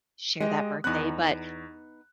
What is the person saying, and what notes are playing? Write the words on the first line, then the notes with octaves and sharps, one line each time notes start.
share that birthday, but
G#3 G4 D#5
E2 B3 D#4 F#6